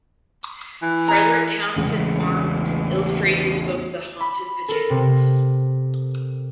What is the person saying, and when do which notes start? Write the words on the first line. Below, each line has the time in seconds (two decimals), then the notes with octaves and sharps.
Frederick Townsend Martin illustrated his book "The Haunted Pajamas".
0.82 E3
1.08 C#5 A#5
1.76 A1 E2 C#3 G#3
4.20 B5
4.68 A4 A#4
4.90 C3